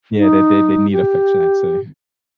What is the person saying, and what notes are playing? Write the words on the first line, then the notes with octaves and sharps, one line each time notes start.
Yeah, they they they need affection, I'd say.
D#4
G4